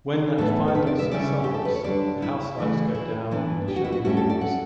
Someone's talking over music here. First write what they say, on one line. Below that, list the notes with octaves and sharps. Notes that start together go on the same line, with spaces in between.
When that finally subsides, the house lights go down and the show resumes.
A2 E3 B3 A4
A4
B4
D5
E5
C#3 G3 C#4 E4 D5
G4
A4
B4
C#5
D3 G3 D4 D5
E4
C#3 E3 A3
E4
E3 B3 D4
G4
F#4
E4
F#4
A2 G3 C#4 E4 F#4
A4
D5
F#5